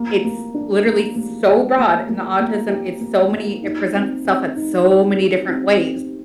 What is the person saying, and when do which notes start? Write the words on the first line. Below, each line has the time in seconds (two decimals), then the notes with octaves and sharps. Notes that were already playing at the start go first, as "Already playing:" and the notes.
It's literally so broad in the autism. It's so many it presents itself in so many different ways,
Already playing: A#3
0.24 A#3
0.54 D4
0.86 A#3
1.16 A#3
1.48 G4
1.78 A#3
2.09 A#3
2.40 A#3
2.70 G4
3.01 A#3
3.32 A#3
3.62 D#4
3.94 C4
4.25 C4
4.56 D#4
4.86 G3
5.17 G3
5.47 C4
5.78 C4